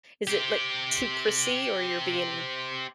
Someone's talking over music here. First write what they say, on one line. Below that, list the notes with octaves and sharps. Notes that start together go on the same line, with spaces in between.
is it, like, too prissy or you're being
C4 G4